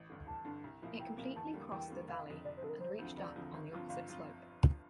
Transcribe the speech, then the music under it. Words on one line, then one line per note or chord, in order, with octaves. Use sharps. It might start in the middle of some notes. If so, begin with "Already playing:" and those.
It completely crossed the valley and reached up on the opposite slope.
Already playing: A1
G2 D3
A1 A5
G2 D3
C2
A#2 F3 A#3 E4
C2 G5
A#2 F3 A#3 E4
E2 A5
D3 G3 A#3
E2 G5
D3 G3 A#3
F1 F5
F2 D3
F1 D5
C5
F2 D3 A4
A#4
E1 C5
D2 D3 F3 C4
E1 D5
D2 D3 F3 C4
G1
G2 F3 C4 F4
G1 F5
F3 C4 F4